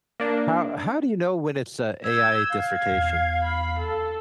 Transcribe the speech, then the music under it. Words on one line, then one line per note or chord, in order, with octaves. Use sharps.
How how do you know when it's a AI dissertation?
A#3 D4
E6 G6 G#6
F5 G#6
E2
B5
A4